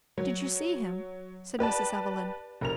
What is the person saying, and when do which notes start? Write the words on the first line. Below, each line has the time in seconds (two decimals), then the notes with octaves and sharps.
"Did you see him?" said Mrs. Evelyn.
0.18 F#3
1.59 G4 B4 D5 A5
2.61 F1 A#4 F7